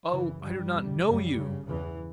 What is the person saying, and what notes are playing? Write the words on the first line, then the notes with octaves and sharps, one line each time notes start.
"Oh, I do not know you!"
F#2 C#3 E3
G2 G3
E2 B2
F#2 C#3 G3
G2 C#3
E2 C#3 E3